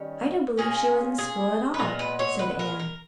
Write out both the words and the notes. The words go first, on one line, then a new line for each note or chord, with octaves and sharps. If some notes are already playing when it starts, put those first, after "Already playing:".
"I don't believe she was in school at all," said Anne.
Already playing: D#3 G3 C#4
A#2 A#3 C#4 G#4
G#4
B4
A#2 G#3 B3 A#4
B4
C#5
B4
A#4
A#4